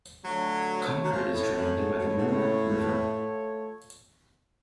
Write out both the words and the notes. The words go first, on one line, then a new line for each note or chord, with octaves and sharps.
Concord is drained by the Merrimack River.
D3 F#3 A3 F4 A4 C#5
F#3
C#3 F3
A2
F#2
G#2
B2
A2
G#2
A2